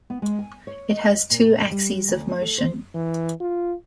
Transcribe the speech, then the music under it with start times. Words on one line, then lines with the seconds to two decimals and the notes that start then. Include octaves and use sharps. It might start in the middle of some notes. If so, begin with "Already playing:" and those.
It has two axes of motion.
0.10 B3
0.22 G#3
0.39 G#5
0.67 C#5
0.91 D#5
1.30 A#2
1.71 G3
2.08 D2
2.42 A4
2.58 C5
2.95 E3
3.41 F4